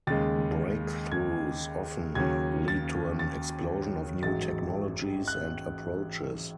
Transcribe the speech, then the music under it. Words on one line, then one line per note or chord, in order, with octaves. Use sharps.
Breakthroughs often lead to an explosion of new technologies and approaches.
D#2 C#3 G#3 A6
G#6
D#2 C#3 F#3 C#4 G#6
A6
A6
A1 G#2 F#3 A6
F#6